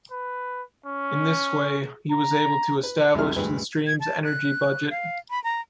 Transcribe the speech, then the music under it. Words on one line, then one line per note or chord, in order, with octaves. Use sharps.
In this way he was able to establish the stream's energy budget.
B4
C#4
A#5
B4
C2 F#2 C3 G#3 E4 F6
D2 G2 E3 G#3 B4
G#6
A5
F#6
F5
B5
A#5